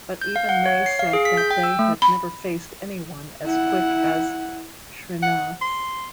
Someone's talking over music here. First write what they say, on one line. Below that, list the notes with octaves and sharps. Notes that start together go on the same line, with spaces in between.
But even they said that they had never faced anyone as quick as Srinath.
G6
F5
F#5
C#5
C7
F5
G#4
B6
G6
G5
E6
A3
B5
E4 F#5
F#5
C6